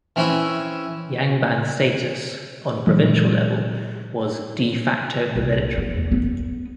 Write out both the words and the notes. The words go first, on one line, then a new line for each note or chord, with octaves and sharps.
Yangban status on a provincial level was "de facto" hereditary.
E3 C4 C#4 E4 E5
A#2 E3 F#3 G#3
C2
B3
E2
B3